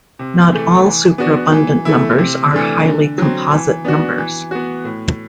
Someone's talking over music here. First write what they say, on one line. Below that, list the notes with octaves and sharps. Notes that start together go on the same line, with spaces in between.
Not all superabundant numbers are highly composite numbers.
C3
E3 A3
E3
B3 D4 F#4
E3
A3 E4
C3
E3 A3 D4
D3
F#3 C4
E3
B3 D4 F#4
E3
B3 F#4
A2